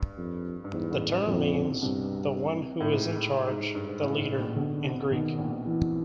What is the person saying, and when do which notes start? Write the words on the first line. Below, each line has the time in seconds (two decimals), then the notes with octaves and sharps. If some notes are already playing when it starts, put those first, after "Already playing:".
The term means "the one who is in charge", "the leader" in Greek.
Already playing: G2
0.18 F2
0.64 G2
0.73 E2 G#2
0.91 A1 A2
1.09 A1 A2
1.27 A#1 F2 A#2
1.53 B2
1.64 C2 C3
1.82 C2 G2 C3
2.80 A2
2.92 G#2
3.47 G#2
3.60 G#2
3.75 G2
3.88 G#2
4.02 A1 A2
4.15 G#2
4.19 A1 A2
4.38 A#1 A#2
4.56 B1 B2 D3
4.84 C2 C3
5.11 B1 B2 D#3
5.38 A#1 A#2
5.66 E3